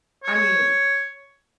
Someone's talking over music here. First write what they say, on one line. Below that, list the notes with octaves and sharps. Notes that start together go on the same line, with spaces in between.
I mean,
C#5